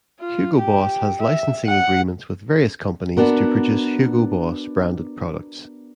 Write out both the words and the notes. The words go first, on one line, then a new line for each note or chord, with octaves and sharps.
Hugo Boss has licensing agreements with various companies to produce Hugo Boss branded products.
F4
G4
E5
F#5
B3 D4 F#4 A#4